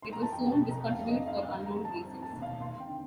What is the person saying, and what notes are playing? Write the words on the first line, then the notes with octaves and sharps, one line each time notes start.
It was soon discontinued for unknown reasons.
C6
A#5
A5
F2 G5
A5
C3
A#5
F1 F5
F5
D#5
F1
F5
D3
A#5
G3
A5
C4
A5
D#2
F5
D#2 C6
G5
D3